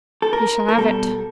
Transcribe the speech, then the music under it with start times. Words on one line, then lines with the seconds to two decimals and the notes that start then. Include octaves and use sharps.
You shall have it.
0.22 A4
0.33 A#4
0.69 A#4
0.78 B2 G3 A4